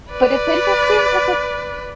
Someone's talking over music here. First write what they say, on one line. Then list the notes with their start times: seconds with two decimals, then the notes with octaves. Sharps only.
But it's interesting 'cause it's
0.11 B4 D5